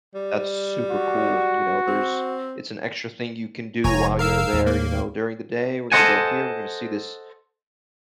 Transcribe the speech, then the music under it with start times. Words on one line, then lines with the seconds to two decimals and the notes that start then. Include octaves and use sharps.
that's super cool, you know? There's it's an extra thing you can do while you're there, you know? "During the day, we're gonna go here, we're gonna see this
0.14 G3
0.91 F#4
1.87 C4
3.84 F1 C#5 G#5 A#5
4.19 A#4 F5 E6
4.53 D#2 A2
4.67 A#3
5.92 A4 A#4 C5 D#5 F#5 G#5